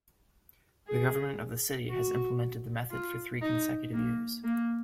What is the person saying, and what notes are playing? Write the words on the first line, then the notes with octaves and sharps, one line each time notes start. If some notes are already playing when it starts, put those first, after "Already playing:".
The government of the city has implemented the method for three consecutive years.
G#4
F#4
F4
D#4
A#3
A#3